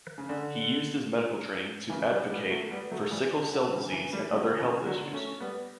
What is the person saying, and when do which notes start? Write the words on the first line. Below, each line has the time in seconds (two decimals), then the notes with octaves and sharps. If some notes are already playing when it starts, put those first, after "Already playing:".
He used his medical training to advocate for sickle-cell disease and other health issues.
0.18 C#3
0.29 D3
1.90 C#3 E3
2.10 G3 B3
2.30 G3 B3
2.51 F#3 A3
2.71 G3 B3
2.91 F#3 A3
3.11 E3 G3
3.32 C#3
3.51 D3
3.72 C#3 E3
3.92 C#3 E3
4.12 E3 G3
4.33 D3 F#3
4.60 C#3 E3
4.86 D3 F#3
5.13 A3 C#4
5.40 G3 B3